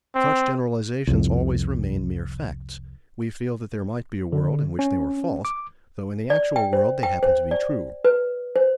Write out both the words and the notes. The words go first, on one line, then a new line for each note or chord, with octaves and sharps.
Such generalizations always remain mere facts: we feel that there might be a world in which they were false, though in the actual world they happen to be true.
C4
C2 F2
D3
C#4
D6
D5
G5
C5
G5
C5
D5
B4
C5